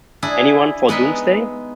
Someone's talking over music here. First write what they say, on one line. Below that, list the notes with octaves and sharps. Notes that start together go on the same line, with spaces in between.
Anyone for Doomsday?
D4 E4 G#4
G#3 B3 D#4 E5